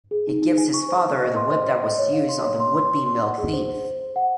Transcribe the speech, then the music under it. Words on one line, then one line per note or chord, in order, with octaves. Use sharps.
He gives his father the whip that was used on the would-be milk thief.
G#4
D#4
D#4
G#5
C#6
C5
C5
D#5
C6
C5
D#5
D#5
C#5
F5
C6
C#5
C6
C6
C#5
C6
F#5
G#4
C5
C5
C5
C5
F#5